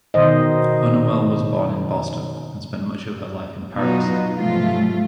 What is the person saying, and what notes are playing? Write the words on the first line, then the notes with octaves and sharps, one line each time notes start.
Hunnewell was born in Boston and spent much of her life in Paris.
B2 D#3 C5 D#5
B2 F#3 B3 D#4 F4 F#4
G#2 C3 F3 F#3 A3 F4